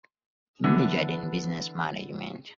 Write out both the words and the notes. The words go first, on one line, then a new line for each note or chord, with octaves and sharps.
He majored in business management.
D3 E3 B3